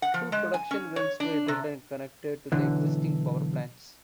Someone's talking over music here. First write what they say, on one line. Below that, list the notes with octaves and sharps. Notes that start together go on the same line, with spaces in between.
Two production wells were drilled and connected to the existing power plants.
F#5
F3
G#3
G#5
C#4
C#5
D4
C3
B1 D3 E3